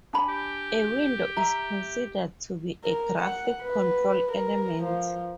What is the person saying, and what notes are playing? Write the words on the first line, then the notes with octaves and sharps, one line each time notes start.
A window is considered to be a graphical control element.
D4 G#5 B5
G4
E5 A#5
A#4
F#5
B4
A#4
F3